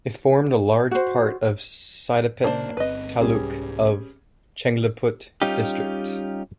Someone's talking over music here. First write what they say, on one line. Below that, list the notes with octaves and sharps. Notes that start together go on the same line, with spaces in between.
It formed a part of Saidapet taluk of Chengleput district.
F#4 C5
A#2 C#3 A#3 D4 C5
G1 C4 B4 D#5
C2 G#2 G3 C#4 G#4
G3 C#4 D#4 F4 G4